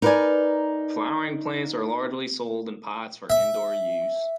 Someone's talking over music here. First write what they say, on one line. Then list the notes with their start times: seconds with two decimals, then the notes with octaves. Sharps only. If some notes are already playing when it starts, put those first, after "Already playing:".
Flowering plants are largely sold in pots for indoor use.
0.02 D#4 A#4 B4 C#5 D5 G#5
3.30 E5